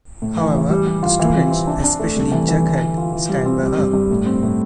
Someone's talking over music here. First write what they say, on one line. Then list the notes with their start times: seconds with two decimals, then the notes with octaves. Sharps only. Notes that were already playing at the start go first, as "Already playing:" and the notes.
However, the students-especially Jughead-stand by her.
0.22 A2
0.38 E3
0.55 E3
0.70 G3
0.87 G3
1.03 F4
1.19 E3
1.35 C3
1.51 C4
1.67 D4
1.84 D4
2.00 A3
2.16 C2
2.32 E3
2.49 E3
2.65 D3
2.81 D3
2.97 F4
3.13 E3
3.29 G3
3.46 C4
3.62 G3
3.78 G2
3.93 G2
4.11 A2
4.26 C4
4.43 A2